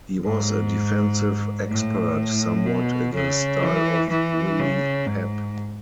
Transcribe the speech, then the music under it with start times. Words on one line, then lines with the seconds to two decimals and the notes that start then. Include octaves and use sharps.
He was a defensive expert, somewhat in the style of Willie Pep.
0.25 G#2
1.70 A2
2.66 B2
3.14 C#3
3.62 E3
4.10 E3
4.59 C#3
5.06 G#2